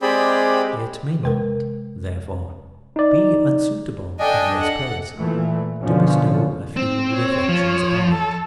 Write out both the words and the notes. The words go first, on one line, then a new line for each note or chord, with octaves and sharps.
It may not, therefore, be unsuitable, in this place, to bestow a few reflections upon it.
G#3 C4 G4 G#4 D5 B5
C3 G#3 A#4
D#4 D5
D4 A4 D#5 G5 G#5
A4 F#5
A#2 E3 A3
F#2 B2 D3 F3 C#4
C4
C#5
F3
A4